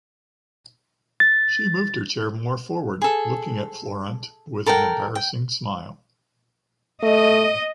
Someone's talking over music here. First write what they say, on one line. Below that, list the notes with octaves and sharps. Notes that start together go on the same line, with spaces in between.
She moved her chair more forward, looking at Florent with an embarrassing smile.
A6
G#4 A4
A4 A#4 F#5 G5
G5
A3 D#5